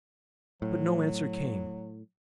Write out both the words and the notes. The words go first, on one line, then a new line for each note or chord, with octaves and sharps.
But no answer came.
A2 F#3